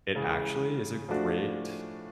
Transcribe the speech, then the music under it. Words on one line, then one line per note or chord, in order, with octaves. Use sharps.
it actually is a great
C#3 E3 G#3
A2 F3 A3 D4 F#4